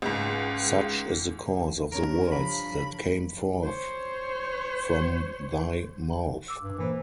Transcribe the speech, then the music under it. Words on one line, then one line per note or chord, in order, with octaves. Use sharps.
Such is the course of the words that came forth from thy mouth.
C#2 G#2
G2 A#4 C#5 D7
F3 B5
C5 C#5
D6 E6
G2
A#2 E3 A#3 C5